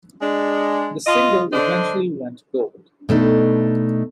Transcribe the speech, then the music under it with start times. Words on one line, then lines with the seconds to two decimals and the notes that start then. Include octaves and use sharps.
The single eventually went gold.
0.21 G#3 D4
1.06 F4 D#5
1.53 D3 D4 C5 D#5
3.09 B2 A3 D4 D#4